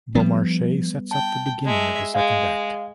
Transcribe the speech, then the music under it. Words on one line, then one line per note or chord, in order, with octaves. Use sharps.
Beaumarchais sets up the beginning of the second act.
F3 G3 A3 B3
G5 A5
G#3 E5
G#3 F5